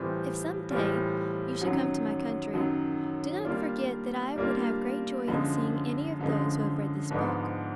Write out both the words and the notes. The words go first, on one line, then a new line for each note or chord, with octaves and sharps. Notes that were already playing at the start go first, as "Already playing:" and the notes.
If some day you should come to my country, do not forget that I would have great joy in seeing any of those who have read this book.
Already playing: A2 E3 G3 C4 F4
A2 E3 G3 C4 F4
F#2 D#3 F#3
F#2 D#3 F#3
G3 A#3 D4 F4
G3 A#3 D4 F4
F#2 D3 F3 G#3
F#2 D3 F3 G#3
G#2 F3 G#3 B3 D4